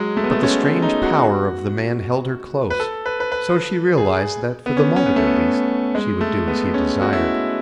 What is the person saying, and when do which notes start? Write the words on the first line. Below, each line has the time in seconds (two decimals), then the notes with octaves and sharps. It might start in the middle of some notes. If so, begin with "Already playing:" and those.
But the strange power of the man held her close, so she realized that for the moment at least she would do as he desired.
Already playing: F#3 G#3
0.17 A3
0.24 B3
0.31 A3
0.43 C#4
0.63 C#4
0.82 D#4
1.02 F#4
2.70 B4
2.80 A4
3.06 B4
3.20 B4
3.32 B4
3.98 G#4
4.66 B3
4.77 C#4
4.96 C#4
5.06 B3
5.16 A3
5.26 B3
5.95 G#3
6.21 A3
6.48 B3
6.74 C#4
7.02 F#4
7.13 E4